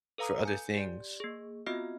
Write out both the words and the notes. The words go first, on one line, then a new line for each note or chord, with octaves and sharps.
for other things,
A4 B4 F5 A#5 D#6
G#5 G6
G4 D5
A#3 G#4
B3 C4 F4 F#4 D#5 F6